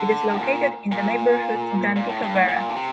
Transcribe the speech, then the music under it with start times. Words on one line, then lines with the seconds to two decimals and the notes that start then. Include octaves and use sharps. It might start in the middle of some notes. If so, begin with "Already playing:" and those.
It is located in the neighborhood Jacinto Vera.
Already playing: D3
0.33 A2
0.39 A#2
0.92 A#2
1.96 A#2
2.09 A2
2.22 G2
2.35 A2
2.48 A#2
2.69 D3
2.74 C3